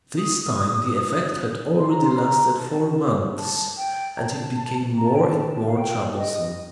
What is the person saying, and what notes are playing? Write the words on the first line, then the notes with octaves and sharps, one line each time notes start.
This time the effect had already lasted four months and it became more and more troublesome.
D#6
C6
A#5
C6
A#5
A5
A5
G5
A#5
A5
A#5
A5
G5
A5
F5
G5
D#5